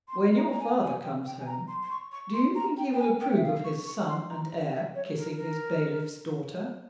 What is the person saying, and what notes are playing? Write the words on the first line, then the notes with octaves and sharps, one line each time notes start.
"When your father comes home, do you think he will approve of his son and heir kissing his bailiff's daughter?"
C6
A#5
A#5
G#5
G#5
G5
G5
G#5
A#5
C6
C6
C#6
C#6
C6
A#5
G5
G5
G#5
G5
E5
F5
C#6
C#6
C6
A#5
E5
C#5
A#4
A#4